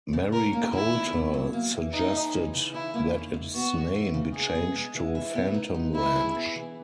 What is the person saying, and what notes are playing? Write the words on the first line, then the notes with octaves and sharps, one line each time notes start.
Mary Colter suggested that its name be changed to Phantom Ranch.
C#3
C#4 A#4
A#3
D#3 E4
E2
E2
F#3
A#3
E3
D#4 G#4
C#4
E3
C#3
C#4 E4
A#3
D#3
G#2
B3 F#4
G#3
E3
C#3
D#4 G#4
B3
G#3
E3
E4
B3
D#4
G#3
E4 B4
G#4
B3
E3